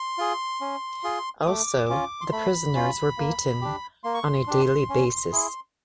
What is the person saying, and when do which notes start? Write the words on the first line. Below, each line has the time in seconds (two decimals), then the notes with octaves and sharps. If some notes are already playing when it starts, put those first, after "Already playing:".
Also, the prisoners were beaten on a daily basis.
Already playing: C6
0.18 F4 G#4
0.61 C#4
1.04 F4 G#4
1.42 D#6
1.47 A3 D6
1.89 C#4 F4
2.21 C6
2.32 A3 B5
2.75 C#4 F4
3.18 A#3
3.61 D4 G4
4.04 A#3 C6
4.14 C#6
4.24 C6
4.47 D4 G4
4.89 C#4
5.32 E4 G#4